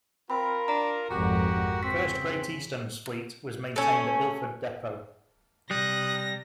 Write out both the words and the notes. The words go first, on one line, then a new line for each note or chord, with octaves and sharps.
First Great Eastern's fleet was maintained at Ilford depot.
C4 F4 A#4 B5
D4 A#5
G#1 F2 F#4 G4 A#4 F#5
C#3 C4 B6
A3 C#4
C3 G3 D#6 F#6 A#6